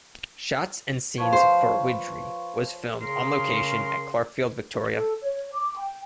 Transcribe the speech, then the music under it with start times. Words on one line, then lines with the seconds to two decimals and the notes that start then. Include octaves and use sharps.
Shots and scenes for Widgeree was filmed on location at Clarkefield, Victoria.
1.18 F3 B4 C#5
1.32 C5
3.01 C#3 G#4 A#4 C6
4.93 A4
5.22 C#5
5.53 D6
5.77 G5